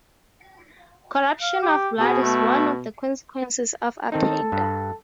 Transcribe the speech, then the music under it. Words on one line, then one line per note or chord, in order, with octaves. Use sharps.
Corruption of blood is one of the consequences of attainder.
F5
G4
B2 G#4
A3
D#3 C4 D#4 A4
G2